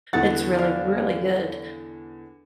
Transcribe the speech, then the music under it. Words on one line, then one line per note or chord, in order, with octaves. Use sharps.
it's really, really good.
E2 D3 F#4 B4 F#5 A6
D4 F5